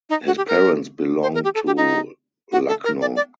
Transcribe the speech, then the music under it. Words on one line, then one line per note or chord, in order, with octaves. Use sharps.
His parents belonged to Lucknow.
D#4
F#4
G4
A#4
C5
A#4
G4
A4
G4
D#4
F#4
A4
A#4
D5
D5